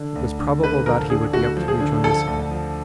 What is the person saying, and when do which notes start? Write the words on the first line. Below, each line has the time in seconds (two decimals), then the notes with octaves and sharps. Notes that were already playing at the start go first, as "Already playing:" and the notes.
It was probable that he would be up to rejoin us again.
Already playing: D3
0.16 D2
0.39 D3
0.63 A3 B4
0.86 F3 A#4
1.10 D3 G#4
1.33 D2 F#4
1.57 F3
1.68 G#4
1.80 D3
2.04 F3 A4
2.27 D2
2.51 F3